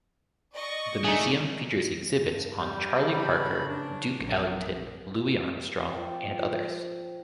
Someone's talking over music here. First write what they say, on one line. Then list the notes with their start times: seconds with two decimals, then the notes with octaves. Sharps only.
The museum features exhibits on Charlie Parker, Duke Ellington, Louis Armstrong and others.
0.54 D5 D#5 C#6
1.04 D3 A3 D#4 G#4
2.17 G2
2.58 G3
3.12 C#3 C#4 D4 A#5 B5
3.68 D4
4.19 A#1 D3 F#3 C#4
5.93 F3 G5